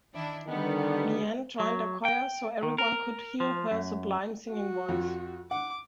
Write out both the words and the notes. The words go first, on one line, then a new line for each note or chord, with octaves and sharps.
Leanne joined a choir so everyone could hear her sublime singing voice.
D#3 D4 E4
D3 D#3 G3 B3
F#3
G5
D#3
A#4
F3
F#2
F#4
F2 F3
F#5 D6